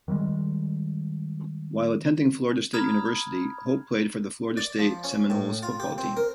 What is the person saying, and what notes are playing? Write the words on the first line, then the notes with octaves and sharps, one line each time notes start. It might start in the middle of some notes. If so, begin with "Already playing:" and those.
While attending Florida State University, Hope played for the Florida State Seminoles football team.
D#3 E3 G3 G#3
A#5 B5 D#6 F6 G#6
D5
F3
C#4
A2
F4
G4
C4
A#4